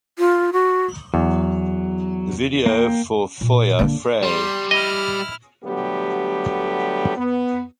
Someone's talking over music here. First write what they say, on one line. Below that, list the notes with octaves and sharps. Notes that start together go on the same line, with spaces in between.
The video for Feuer frei!
F4
F#4
E2 F#3
A#3 G5
A#2
D3 A#3
G3 C6
E4 D#5 F6
D3 F#3 G3 A3 B3 G4
B3